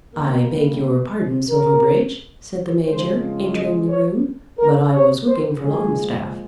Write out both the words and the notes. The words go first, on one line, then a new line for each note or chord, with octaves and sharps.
"I beg your pardon, Silverbridge," said the Major, entering the room, "but I was looking for Longstaff."
C3 G3 A#3 A#4
A#4
C#3 F3 G#3 C5
D#5
C#5
A#4
C#5
C5
A#2 F3 G#3 G#4